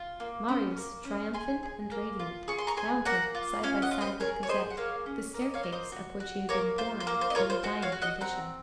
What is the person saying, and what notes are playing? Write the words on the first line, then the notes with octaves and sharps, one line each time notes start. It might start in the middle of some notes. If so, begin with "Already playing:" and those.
Marius, triumphant and radiant, mounted side by side with Cosette the staircase up which he had been borne in a dying condition.
Already playing: F4
A#3
C#4
A#3
C#4
G#4 G#5 C6
G#4
A#3
F4
G#4 C#6
C6
A#5 C#6
G#4 G#5 C6
A#3 F#5 A#5
F4
C#4 F5 G#5
D#5 F#5
F4
C5 D#5
G#4 A#4 C#5
C#5
G#4 C5 D#5
F#5
A#3 C#5 F5
C#4
A#3
D#5
C#5 F5
D#4
C5 D#5
F#4
F#4
A#3 A#4 C#5
F4 C5
C5
A#3 A#4
C5
D#5
F4 A#4 C#5
C5
F#4 C5
C#5 F5
F#4
D#5 F#5
C4 F#5 A#5